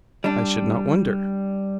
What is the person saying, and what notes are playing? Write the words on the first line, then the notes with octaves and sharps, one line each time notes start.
I should not wonder.
G3 D4